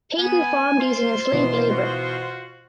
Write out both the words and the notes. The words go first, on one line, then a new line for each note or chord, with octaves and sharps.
Peyton farmed using enslaved labor.
B3 G#5
F4 C5 C6
B2 E3
F#4